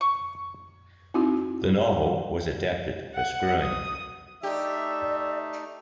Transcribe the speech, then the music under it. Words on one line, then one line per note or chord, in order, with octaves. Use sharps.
The novel was adapted for screen.
C#6
C4 D#4 E4 F#4
F#5
D#6
A3 D#4 G4 D5 E5